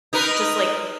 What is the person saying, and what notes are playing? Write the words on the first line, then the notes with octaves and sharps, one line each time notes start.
just like
D#4 A#4 B4